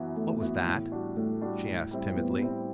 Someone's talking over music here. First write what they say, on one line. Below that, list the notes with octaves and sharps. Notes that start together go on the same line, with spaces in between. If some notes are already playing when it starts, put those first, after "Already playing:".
"What was that?" she asked timidly.
Already playing: F#2 E3 B3 F#4
F#2 A3
E3 B3 F#4
A2
G3 D4 F#4
A2 A3
G3 D4 F#4
A2
G3 C4 E4
A2 B3
G3 C4 E4